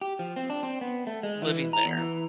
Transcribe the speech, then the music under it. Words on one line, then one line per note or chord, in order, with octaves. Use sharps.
living there.
G4
F3
C4
D4
C4
B3
A3
G#3
E3
A#5
E2
E3